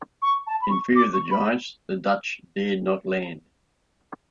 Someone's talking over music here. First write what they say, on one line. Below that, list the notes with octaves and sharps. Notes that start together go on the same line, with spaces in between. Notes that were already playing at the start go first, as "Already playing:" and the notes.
In fear of the giants, the Dutch dared not land.
C#6
A5
B5
C#6
D6
C#6
B5